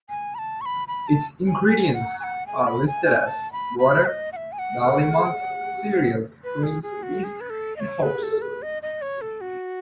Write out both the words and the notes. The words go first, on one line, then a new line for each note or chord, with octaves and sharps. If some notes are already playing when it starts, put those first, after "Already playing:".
Its ingredients are listed as water, barley malt, cereal grains, yeast, and hops.
G#5
B5
A5
C#6
B5
B5
A5
G#5
G#5
F#5
G#5
F#5
G#5
B5
G#5
G#5
A5
B5
B5
D#5
F#5
E5
G#5
F#5
B4
G#4
G#4
F#4
G#4
B4
A4
D#5
C#5
B4
A4
B4
D#5
D#5
C#5
A4
F#4